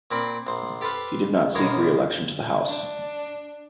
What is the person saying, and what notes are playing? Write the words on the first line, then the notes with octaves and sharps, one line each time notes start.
He did not seek re-election to the House.
A#2 A#3 C4 G5 B5
A#1 C5
G4 A4 B4 C5 F5
D#2 B2 G#3 A#4 C#5 F5
D4